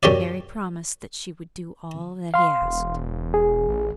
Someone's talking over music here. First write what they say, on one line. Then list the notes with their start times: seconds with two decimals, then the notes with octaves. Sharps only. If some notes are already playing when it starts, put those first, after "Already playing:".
Mary promised that she would do all that he asked.
0.03 F#2 G4 C#5 D5
2.34 F5 C6
2.62 E1
3.34 G#4
3.69 A1